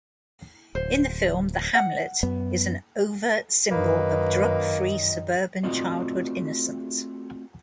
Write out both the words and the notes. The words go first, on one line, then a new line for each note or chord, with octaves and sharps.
In the film, the hamlet is an overt symbol of drug-free suburban childhood innocence.
D1 C5
F#5
F#2 B3
F#2 D#3 A#3 B4 D#5
A3 C4 F4 F#4 D5 D#5